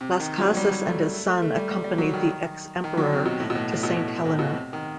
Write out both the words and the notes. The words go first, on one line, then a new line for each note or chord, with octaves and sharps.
Las Cases and his son accompanied the ex-emperor to Saint Helena.
C3
D#3
F#3
G3
A3
A3
A3
A3
G3
G3
G3
F#3
D#3
D#3
F#3
C3
B2
A2
B2
A2
A2
B2
A2
A2
B2
C3
D#3